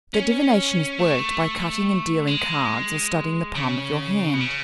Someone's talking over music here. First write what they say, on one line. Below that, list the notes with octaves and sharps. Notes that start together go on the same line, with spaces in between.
Their divination is worked by cutting and dealing cards or studying the palm of your hand.
C#4
A3
G#3
C#3
B2
C#3